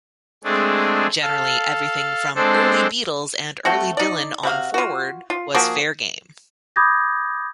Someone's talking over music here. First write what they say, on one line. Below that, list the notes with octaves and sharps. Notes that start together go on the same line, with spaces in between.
Generally everything from early Beatles and early Dylan on forward was fair game.
G#3 A3 C4 D4 G#4
A4 F5
G#3 C4 D4 A4 C5
A3 C4 F#4
D#4 D5
C3 F#4 F5
F4 F#4
F4
F3 A#3 F#4 G#4
B5 D6 D#6 G6 G#6 A#6